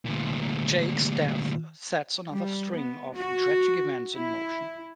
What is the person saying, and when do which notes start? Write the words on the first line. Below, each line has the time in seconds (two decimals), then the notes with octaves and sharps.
Jake's death sets another string of tragic events in motion.
0.05 D2 A#2
2.32 G3
2.72 B3
3.16 F#4
4.16 E4